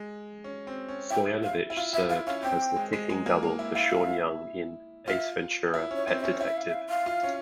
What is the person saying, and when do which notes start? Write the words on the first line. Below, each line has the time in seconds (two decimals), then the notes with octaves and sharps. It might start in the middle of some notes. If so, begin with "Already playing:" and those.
Stoyanovich served as the kicking double for Sean Young in "Ace Ventura, Pet Detective".
Already playing: G#3
0.44 C#4
0.67 C4
0.88 C#4
1.10 E4 G5
1.43 F5
1.70 E4
1.76 F4 F5
1.93 E4 E5
2.03 F4
2.09 E4 F5
2.27 C#4 F5
2.43 C4 G5
2.76 G#3
2.93 G#3
3.10 G#3
3.26 A#3
3.43 A#3
3.59 E4
3.75 E4 F5
5.08 F4 E5
5.74 E4
5.91 C#4
5.96 C#5
6.07 C4
6.18 E5
6.24 C#4
6.36 E4 C#5
6.46 E5
6.57 F5
6.68 E5
6.74 F5
6.89 F5
7.06 F4
7.23 C#4